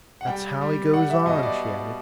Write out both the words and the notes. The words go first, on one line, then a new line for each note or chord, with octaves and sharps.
"That's how he goes on," she added.
F#5
G3 G5
G3
G3 F#5
E5
B2 D#5
D5